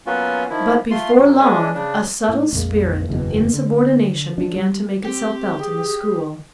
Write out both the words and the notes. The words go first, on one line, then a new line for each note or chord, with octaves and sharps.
But before long a subtle spirit of insubordination began to make itself felt in the school.
F#3 A#3 B3 C#4 F4 F#4
D#3 F3 E4
A3 F4 C6
F#2 F#3
G#3 C#4 D4
C#3 D4
A2
A#1 F2 G#3 A#3
F#1 E2 G2 B2
D3
F3 D4
G3
C4 G4
G#4